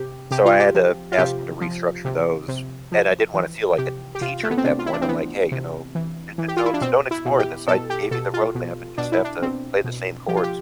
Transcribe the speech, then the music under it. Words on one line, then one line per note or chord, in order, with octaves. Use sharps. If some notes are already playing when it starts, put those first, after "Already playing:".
So I had to ask him to restructure those, and I didn't wanna feel like a teacher at that point, I'm like, "Hey, you know, d d don't ex don't explore this. I gave you the road map and just have to play the same chords,"
Already playing: C3 G4
C3 G4
F4
G4
F3
F4
C3 G4
F3
C3
C3
F3
E3
C3 G4
G4
C3 F4
A3
B3
C4
C3 D4
F4
E4
D4
C4
E3 B3
C3
E3
E3
G4
F4
E4
D4
B2 C4
E4
B2
G4
B2 A4
G4
B2 A4
F4
B2
B2 D4
E4
D4
B2 C4
B2
F3 G4
F4
G4